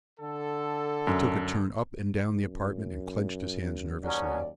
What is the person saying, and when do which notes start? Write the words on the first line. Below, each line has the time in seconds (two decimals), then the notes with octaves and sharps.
He took a turn up and down the apartment and clenched his hands nervously.
0.20 D3 A4
1.07 F#2
2.41 F#2
4.04 D#2 B2 F#3 C#4 D5